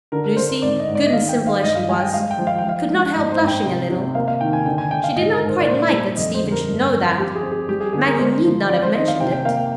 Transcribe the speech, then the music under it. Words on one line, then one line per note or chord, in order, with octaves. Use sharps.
Lucy, good and simple as she was, could not help blushing a little. She did not quite like that Stephen should know that; Maggie need not have mentioned it.
D3 A#4
A#4
D3 C5
C5
G#2 D5
D#5
G#2
D5
D#5
D#3 F5
G5
D#3
F5
G2 D#5
F5
G3 G#5
G5
G#3 F5
G5
F3
F5
G5
F3 F5
G#3
G#2 D#5
C5
G#2
G5
C3
C3
A#3 F5
F5
D#3 G5
G#5
D3 G5
G#5
D3 G5
F5
G#2 D#5
A#4
G#2
C5
D5
A#2 C5
D5
G3 C5
F2 D#5
C5
D3
A#4
G2
C4
F3 G4
G#4
C4
G#4
G3 G4
G#4
D3 G#4
A#4
G#3 C5
F3
C4 D5
C5
D#3 D#5
F5
C3 G5
G5
A#3 F5
G5